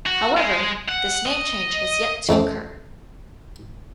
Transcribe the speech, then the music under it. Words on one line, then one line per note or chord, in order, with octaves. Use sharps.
However, this name change has yet to occur.
F#4
G#3
F#5
D#5
F2 A3 C4 C#4